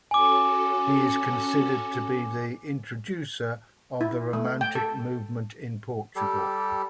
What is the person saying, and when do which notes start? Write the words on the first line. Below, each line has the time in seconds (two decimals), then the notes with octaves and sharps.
He is considered to be the introducer of the Romantic movement in Portugal.
0.11 C#4 F#4 A4 G#5 D6
4.01 E4
4.33 A3
4.61 G5
4.75 A4
6.16 G3 G4 A4